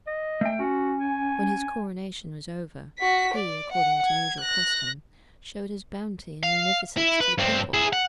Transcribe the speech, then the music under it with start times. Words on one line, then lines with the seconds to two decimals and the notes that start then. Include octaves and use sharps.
When his coronation was over, he, according to usual custom, showed his bounty and munificence to the people.
0.07 D#5
0.41 A3 G5
0.59 C#4 F#4
1.00 G#5
2.99 F#4 B6
3.34 D5
3.72 F#5
4.07 G#6
4.40 F#6 A#6
6.43 F5
6.97 E4
7.21 B4
7.38 G2 C4
7.74 E4 G#4
7.93 F#5